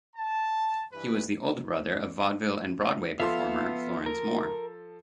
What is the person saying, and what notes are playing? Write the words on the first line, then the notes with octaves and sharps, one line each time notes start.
He was the older brother of vaudeville and Broadway performer Florence Moore.
A5
G2 E3 B4
F3 B3 A4 E5 F5 C6
A#4